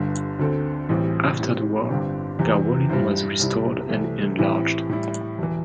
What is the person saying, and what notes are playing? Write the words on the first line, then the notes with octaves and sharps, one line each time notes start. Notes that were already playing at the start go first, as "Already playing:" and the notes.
After the war Garwolin was restored and enlarged.
Already playing: G1 G2 D3
D2 D3 C4 A4
A1 A2 E3 G3 C4
A2 G3 C4
G1 G2 D3 C4 G4
E2 C3 E3
G2 G3 E4 C5
C2 C3 G3 E4
C2 C3 E3 A3
A2 E3 C4 E4 G4
A2 G3 E4
E1 E3